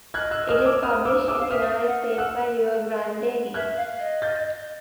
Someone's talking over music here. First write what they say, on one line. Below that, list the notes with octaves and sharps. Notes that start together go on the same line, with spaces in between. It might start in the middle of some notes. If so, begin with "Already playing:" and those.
It is published in the United States by Rio Grande Games.
D#5 F#6 G#6
E6 F#6
D#6 F6
D6 E6
D#6 F6
D6 E6
D6 E6
F5
E5 D#6 F6
F#5
E6 F#6
E5 F#6 G#6
F5
D#5
G6 A6